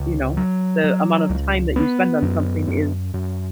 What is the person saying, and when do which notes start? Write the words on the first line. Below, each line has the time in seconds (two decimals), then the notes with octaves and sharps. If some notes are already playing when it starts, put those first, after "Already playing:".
you know, the amount of time that you spend on something is
Already playing: C#2
0.37 F#3
0.84 F#3
1.30 C#2
1.76 B3
2.22 F#2
2.68 F#2
3.14 F#2